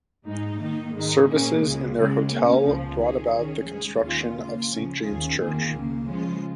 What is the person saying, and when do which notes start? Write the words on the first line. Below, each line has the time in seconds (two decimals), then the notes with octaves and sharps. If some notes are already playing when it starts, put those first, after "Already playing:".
Services in their hotel brought about the construction of St James Church.
0.25 G#2 G#3 D#4
0.59 D#3 A#3 D#4
0.94 G#2 D#3 G#3 D#4
1.28 A#2 A#3 C#4 G#4
1.62 C#2 C#3 G#3
1.96 C#2 C#3 G#3
2.30 C#3 A#3 C#4
2.64 C#2 C#3 F3
2.98 D#3 C#4 G#4
3.33 D#3 C#4 G#4
3.68 C#3 G#3 C#4 G#4
4.01 D#2 D#3 G#3 C#4 F4
4.36 C#3 A#3 F4
4.70 C#2 C#3 F3 C#4
5.04 D#2 D#3 C#4 F4 G#4
5.38 F2 D#3 A#3 F4 G#4
5.72 C#2 C#3 A#3
6.07 C#3 F3 G#3 C#4 F4